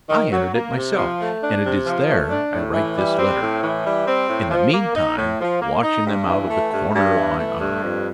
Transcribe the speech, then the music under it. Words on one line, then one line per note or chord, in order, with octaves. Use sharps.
I entered it myself, and it is there I write this letter, in the mean time watching them out of the corner of my eye.
D#3
F#3
A#3
C3
F3
A3
D4
C3
F3
A3
D4
A2
E3
G3
C4
A2
E3
G3
C4
A2
F3
A#3
D#4
A2
F3
A#3
D#4
G2
E3
A3
G2
G2
E3
A3
G2
F2